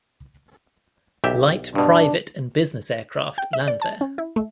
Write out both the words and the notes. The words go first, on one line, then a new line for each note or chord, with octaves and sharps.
Light private and business aircraft land there.
B1 G4 E5
G2 B2 D4
G5
E5
D5
A5
C#4
E4
A3